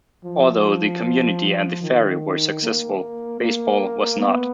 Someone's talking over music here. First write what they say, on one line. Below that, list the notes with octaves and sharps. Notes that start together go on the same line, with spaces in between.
Although the community and the ferry were successful, baseball was not.
F3
D#3
A#3
A#3
B3